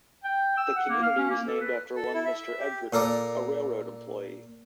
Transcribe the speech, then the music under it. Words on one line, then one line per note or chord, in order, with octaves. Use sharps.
The community was named after one Mr. Edgerton, a railroad employee.
G5
E6
F#5
A#3
F5
C#4
A#3
A4
B4
A4
E4
E5
G4
A#2 A4 A#4 D5